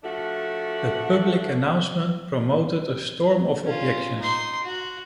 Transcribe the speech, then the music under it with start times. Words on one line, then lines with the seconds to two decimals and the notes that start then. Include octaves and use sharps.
The public announcement prompted a storm of objections.
0.03 F3 A3 D4 F#4
3.65 C#4 F4
4.18 D#4 C6
4.63 F#4